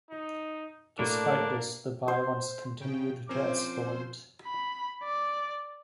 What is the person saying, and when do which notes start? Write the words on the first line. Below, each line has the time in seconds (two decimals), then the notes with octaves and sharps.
Despite this, the violence continued to escalate.
0.10 D#4
0.99 A2 A#3 D4
2.08 C5
2.80 C#3 G5
3.29 F3 C4 C#4 A#4 C5 D6
4.44 B5
5.04 D5